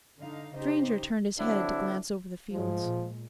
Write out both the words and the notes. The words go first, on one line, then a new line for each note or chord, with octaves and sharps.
The stranger turned his head to glance over the fields.
D3 D#4 F5
C#3 D#4 G4 C5
D3 F#3 C4 D4 E4
G#2 F3 G#3
A#2